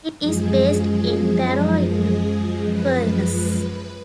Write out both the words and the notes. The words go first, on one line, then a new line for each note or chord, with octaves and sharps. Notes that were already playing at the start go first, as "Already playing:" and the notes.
It is based in Barrow-in-Furness.
F#2 F3 G#3 G#4
G#4
B4